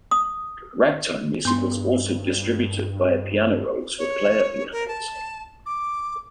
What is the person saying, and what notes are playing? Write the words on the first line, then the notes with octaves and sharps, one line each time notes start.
Ragtime music was also distributed via piano rolls for player pianos.
D#6
G2 B3 C6
C#5
A#4
A5
D6